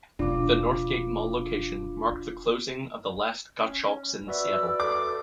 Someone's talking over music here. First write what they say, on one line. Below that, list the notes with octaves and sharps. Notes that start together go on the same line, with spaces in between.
The Northgate Mall location marked the closing of the last Gottschalks in Seattle.
E1 B2 F3 D4 F4 D6
C#4
F#4 B4 D5 E5 E6
A4 D6